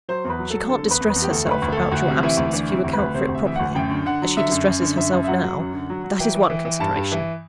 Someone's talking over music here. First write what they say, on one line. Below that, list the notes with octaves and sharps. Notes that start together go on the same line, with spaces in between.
She can't distress herself about your absence, if you account for it properly, as she distresses herself now--that is one consideration.
F#3 C5
E2
B4
F#3
F#3 A4
D3 A4
E2
B4
E2
B4
E2
G4
D2 A4
D2 B4
D2
D2 A4
D2 F#4
C3
E3 E4
D2
E3 D4
C3 E4
D2
B4
D2
C3 C5
D2
E5
E3 E5
D2 F#5
F#2 G5
D3
D3 F#5
F#3
D3 E5
F#2
F#2
D3
F#2 E5
F#2
E5
F#3 F#5
F#3
F#2
D3
F#3
F#3
E3 G5
E3
E3
E3
G2 A5
G2
E3